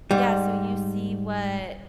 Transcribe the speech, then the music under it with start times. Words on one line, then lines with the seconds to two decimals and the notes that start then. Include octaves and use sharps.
Yeah, so you see what
0.11 G#2 G3